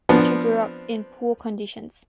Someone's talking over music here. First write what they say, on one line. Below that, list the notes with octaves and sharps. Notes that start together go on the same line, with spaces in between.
She grew up in poor conditions.
F3 B3 C4 D4